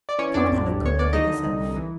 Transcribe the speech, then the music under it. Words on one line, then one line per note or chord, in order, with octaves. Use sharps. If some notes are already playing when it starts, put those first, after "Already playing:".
"Come and have a good look at yourself."
D5
E3 C#4 C#5
F2 D4 D5
A1
G2
D2 C#5
D2 D5
D#2 D#4 D#5
D3
C2
C2
E3